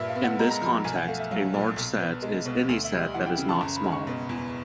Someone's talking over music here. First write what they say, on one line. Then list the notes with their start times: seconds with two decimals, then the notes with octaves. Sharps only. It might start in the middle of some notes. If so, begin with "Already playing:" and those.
In this context, a large set is any set that is not small.
Already playing: G2 A#2 E5
0.09 F5
0.15 B3
0.24 F#5
0.39 G#3 A#5
0.51 A#5
0.62 F3 B5
0.74 A#5
0.84 B1 G#5
0.96 F#5
1.07 A3 F5
1.20 E5
1.31 F#3 F5
1.54 A#2
1.76 B1
1.99 B3
2.22 G#3
2.46 B2
2.69 D2
2.84 E5
2.92 G3
2.99 D#5
3.14 E3 F#5
3.26 G5
3.38 C#3
3.49 A5
3.61 F#1 A#5
3.76 B5
3.84 G#3
3.92 C#6
4.07 B2
4.29 E2